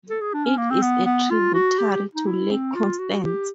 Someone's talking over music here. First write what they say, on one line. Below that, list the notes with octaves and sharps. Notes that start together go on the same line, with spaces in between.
It is a tributary to Lake Constance.
A4
G#4
D4
C#4
A#3
C4
B3
B3
F4
F#4
G4
D#4
E4
C4
F4
F#4
G4